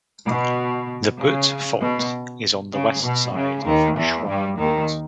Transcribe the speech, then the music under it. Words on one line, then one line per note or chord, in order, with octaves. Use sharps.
The Butte Fault is on the west side of Chuar Butte.
B2
C#3
B2
C#3
B2
C#3
D#2 D#3
E2 E3
G2 G3
D#2 D#3